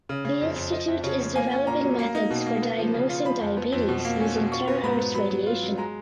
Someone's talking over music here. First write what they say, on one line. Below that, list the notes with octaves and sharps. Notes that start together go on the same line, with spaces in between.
The institute is developing methods for diagnosing diabetes using terahertz radiation.
C#3
C#3
F2
F2
F3 D#5
F2
C#3 C#5
F3
A#3 G#5
C#4
A#2 A#5
F#3
A#3 A#5
D#4
B2
A#3
B3
F3
C#3
F4
F3 B5
F2
B3
F2
B2
A#3
C#4
B2
F4 C#6
B3
G#2 B5
B3
F#3 B5
F#3
F4
F#3
G#3 A#5